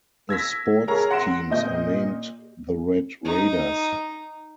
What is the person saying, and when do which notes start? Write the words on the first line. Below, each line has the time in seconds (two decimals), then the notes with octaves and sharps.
The sports teams are named the Red Raiders.
0.29 E6 G#6 A#6 B6
0.88 G#4 A#4 C#5 A#5
1.10 F#5 C6 A#6 D7 E7
1.50 A#2 D#5 G6
3.25 D#4